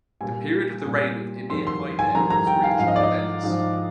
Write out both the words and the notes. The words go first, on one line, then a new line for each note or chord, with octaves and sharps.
The period of the reign of Emir Haydar was rich in events.
A#2 G3 G#5
A#2 G3
F2 D#3 G3 C6
C6
G#5
F2 D#3 G3 A#5
A#5
G5
F5
G#2 F3 F5
D#5
D5
D#5
G#2 F3